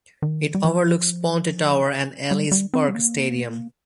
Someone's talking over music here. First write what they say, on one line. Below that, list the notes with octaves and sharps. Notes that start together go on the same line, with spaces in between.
It overlooks Ponte Tower and Ellis Park Stadium.
D#3
G3
F3
G3
G3
C4
G3
A#3